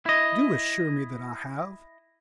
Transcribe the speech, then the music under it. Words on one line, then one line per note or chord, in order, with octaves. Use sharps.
Do assure me that I have.
E4 D#5